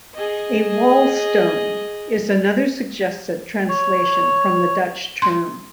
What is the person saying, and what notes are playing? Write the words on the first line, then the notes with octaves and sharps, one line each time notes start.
A "wall stone" is another suggested translation from the Dutch term.
G#4 D#5
C#5
C6